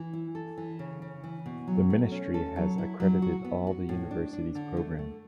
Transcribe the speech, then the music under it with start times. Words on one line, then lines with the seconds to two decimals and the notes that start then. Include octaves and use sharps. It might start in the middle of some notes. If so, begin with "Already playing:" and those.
The Ministry has accredited all the university's programs.
Already playing: E3
0.13 E4
0.35 A4
0.58 E3
0.79 C#3
1.02 C#3
1.24 E3
1.46 B2
1.67 F#3
1.90 A3
2.12 C#4
2.34 A4
2.56 F#3
2.78 E4
3.00 F#3
3.22 F#4
3.45 B3
3.67 F#4
3.89 A2
4.11 D4
4.33 D4
4.55 D3
4.77 A3
4.99 A3